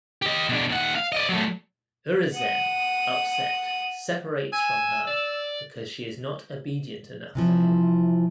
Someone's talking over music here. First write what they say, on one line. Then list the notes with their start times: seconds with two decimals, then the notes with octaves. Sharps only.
Urizen, upset, separates from her because she is not obedient enough for him.
0.22 G4 D#5
0.49 B2 D4
0.69 D#2 F#5
0.95 F5
1.12 D5 D#5
1.29 F#3 A3
2.34 F#5 D#6
4.53 G#5 E6
5.07 D5
7.35 C3 E3 F3